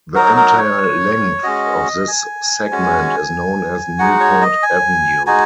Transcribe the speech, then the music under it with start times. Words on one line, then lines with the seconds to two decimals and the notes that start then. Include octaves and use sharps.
The entire length of this segment is known as Newport Avenue.
0.15 F#3 D#4 F#4 A#4
0.36 A#4
0.58 C#5
1.43 G#3 C#4 F#4 D#5
2.08 G#5
2.71 G#3 C#4 F#4
3.99 G#3 D#4 F#4 F#5
4.20 C#5
4.42 D#5
4.63 G#5
5.27 G#3 D#4 F#4 G#5